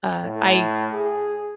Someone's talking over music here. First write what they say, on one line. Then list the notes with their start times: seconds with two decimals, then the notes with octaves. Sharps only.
uh, I
0.24 A2
0.92 G#4